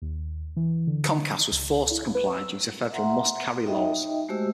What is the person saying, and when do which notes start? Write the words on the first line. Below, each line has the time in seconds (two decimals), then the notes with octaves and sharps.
Comcast was forced to comply due to federal must-carry laws.
0.02 D#2
0.57 E3
0.87 D3
1.51 C#2
1.91 E4
2.15 B4
2.35 E6
2.92 E5 F#5 A#5 C6
3.66 D#4 D#5 E5 G5
4.29 G#3 A3 F#4 G4 C5 E6